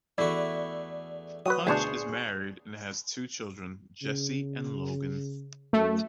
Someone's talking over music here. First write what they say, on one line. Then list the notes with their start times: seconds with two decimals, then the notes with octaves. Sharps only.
Punch is married and has two children, Jessie and Logan.
0.18 E2 A3 E4 F#4 D5
1.46 F#3 F#4 B4 D#6
1.67 D2 B2 D4 G#4 C5 C#5
4.03 C#3
5.73 F#2 A3